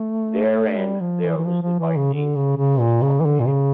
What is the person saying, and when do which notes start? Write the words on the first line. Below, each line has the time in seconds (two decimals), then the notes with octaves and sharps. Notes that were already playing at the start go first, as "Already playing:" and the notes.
Therein they are listed by date of first publication.
Already playing: A3
0.78 G3
1.01 F3
1.23 E3
1.38 E3
1.45 F3
1.63 F3
1.79 E3
1.96 C#3
2.13 D3
2.36 C#3
2.57 C#3
2.80 A#2
3.02 C#3
3.20 E3
3.26 D3
3.40 A#2
3.47 C#3